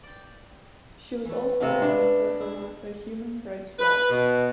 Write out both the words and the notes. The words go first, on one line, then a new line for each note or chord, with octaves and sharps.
She was also honoured for her work by Human Rights Watch.
D5 G5
E3 A3
A2 C3 A3 B3 F5
B2 B3 D4 B4
E4
B4
B2